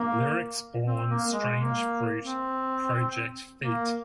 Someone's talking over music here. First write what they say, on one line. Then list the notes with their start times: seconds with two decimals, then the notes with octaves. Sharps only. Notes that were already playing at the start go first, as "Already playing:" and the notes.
Lyrics Born, Strange Fruit Project Feat.
Already playing: A#3
0.85 C4
1.08 A#3
1.31 G#3
1.55 A#3
2.23 C4
3.62 A#3